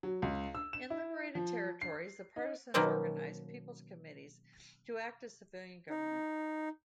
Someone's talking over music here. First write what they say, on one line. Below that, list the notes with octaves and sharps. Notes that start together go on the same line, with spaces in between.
In liberated territories, the Partisans organised People's Committees to act as civilian government.
F#3
C#2
E6
E7
E4
F3
C7
D#4
B2 D#3 F#3 A#3 C4 C#4
D#4